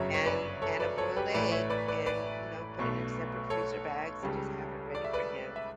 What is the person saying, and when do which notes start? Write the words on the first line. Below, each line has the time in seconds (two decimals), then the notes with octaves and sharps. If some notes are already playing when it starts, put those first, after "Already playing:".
and and a boiled egg and, you know, put it in separate freezer bags and just have it ready for him.
Already playing: G1 F#2 C#3 F#3 C#5 E5
0.14 C#5
0.26 B4 D5
0.62 A4 C#5
0.80 B4 D5
0.97 A4 C#5
1.16 G4 B4
1.34 A1 A2 E3 A3 B4 D5
1.52 C#5 E5
1.70 B4 D5
1.88 B4 D5
2.06 B4 D5
2.79 B1 B2 A3
3.50 A4 C#5
4.23 C#2 C#3 G3
4.95 D5
5.04 E5
5.13 B4 D5
5.56 E5